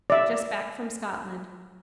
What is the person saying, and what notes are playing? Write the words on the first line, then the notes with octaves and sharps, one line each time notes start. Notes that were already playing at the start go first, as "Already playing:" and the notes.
Just back from Scotland.
D5 E5